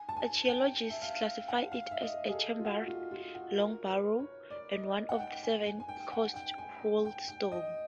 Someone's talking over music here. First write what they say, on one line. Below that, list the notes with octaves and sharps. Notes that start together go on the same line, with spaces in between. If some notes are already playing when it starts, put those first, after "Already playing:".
Archaeologists classify it as a chambered long barrow and one of the Severn-Cotswold tombs.
Already playing: G#5
A5
G#5
G5
E5
F5
F#5
F5
E5
D#5
G#4
A4
F4
F#4
F4
F4
F#4
A#4
B4
C#5
D5
D#5
F#5
G5
G#5
G#5
G#5
G5
F#5
G5
G#5
G5
G5
D#5